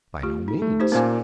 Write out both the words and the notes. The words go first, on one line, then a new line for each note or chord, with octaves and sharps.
"By no means."
A3 F4 G4
D#4
A3
D#4 G4 C5
A#2 A#3 C#4 C5 G#5